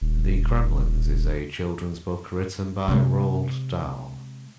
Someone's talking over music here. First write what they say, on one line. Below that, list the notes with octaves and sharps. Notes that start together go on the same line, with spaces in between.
The Gremlins is a children's book, written by Roald Dahl.
D#1
C3 G#3